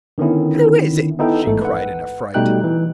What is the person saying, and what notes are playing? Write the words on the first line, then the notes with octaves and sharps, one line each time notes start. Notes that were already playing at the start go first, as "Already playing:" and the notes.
"Who is it?" she cried in affright.
D3 D#3 B3 C#4 E4
B3 D#4 E4 A4 G5
A1 G#2 A3 A4
B4 F#5
B2 G3 A3 D#4 G5 F#6
E3